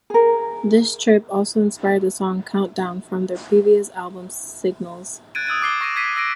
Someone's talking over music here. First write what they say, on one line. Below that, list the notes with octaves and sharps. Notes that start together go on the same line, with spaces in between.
This trip also inspired the song Countdown, from their previous album Signals.
G#4 A#4
F#6 G#6 A6 D7 D#7
D#6 E6 G#6 D#7
D6 C7 G7
C#6 A#6 D7 D#7
G#6 B6 C7 D#7
E6 A#6 D7